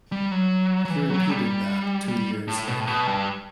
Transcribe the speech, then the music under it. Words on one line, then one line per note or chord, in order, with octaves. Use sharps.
He repeated that two years later.
G3
F#3
F#3
E3
F#3
G3
G3
A2
B2
A2
B2
G2